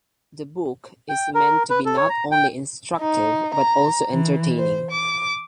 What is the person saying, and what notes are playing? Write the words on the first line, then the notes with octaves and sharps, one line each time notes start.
The book is meant to be not only instructive but also entertaining.
G5
A#4
B4
A4
C#5
A#5
G5
D#4
A#5
E3
C5
D6